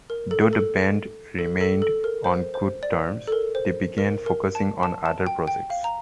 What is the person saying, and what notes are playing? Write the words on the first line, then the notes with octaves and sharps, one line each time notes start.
Though the band remained on good terms, they began focusing on other projects.
A#4
A4
A4
A4
A4
A4
A#4
C5
C5
D5
A4
A#4
C5
A#4
A#4
A5
A5
A5
G5
G5
F5
A#5